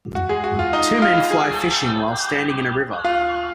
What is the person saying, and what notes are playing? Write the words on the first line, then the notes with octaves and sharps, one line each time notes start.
Two men fly fishing while standing in a river.
F#4
G#3 G#4
F#4
F4
D#4 D#5
F4 F5
G#4 G#5
F4 F5